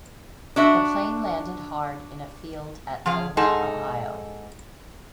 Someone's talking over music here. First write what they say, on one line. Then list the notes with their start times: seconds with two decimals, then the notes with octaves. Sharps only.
The plane landed hard in a field at Nova, Ohio.
0.56 D4 F#4 E5
3.06 F3 G#4 F5
3.37 G#2 D#4 G#4 A4